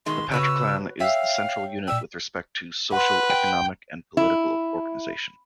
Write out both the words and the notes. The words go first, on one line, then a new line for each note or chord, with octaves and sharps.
The patriclan is the central unit with respect to social, economic, and political organization.
B2 D#3 G#3 C6
C#3 F#4 B4 C#5 B5 E6
C#5 E5 F5 G5
A#2 D5 G5 E6
B4 F#5 C6
G5
E4